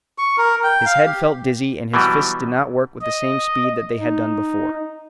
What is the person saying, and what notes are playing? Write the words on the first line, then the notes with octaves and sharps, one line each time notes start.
His head felt dizzy and his fists did not work with the same speed that they had done before.
C#6
A#4
G5
F5
G4
B2 E3 F#3 G3
D#5
D#4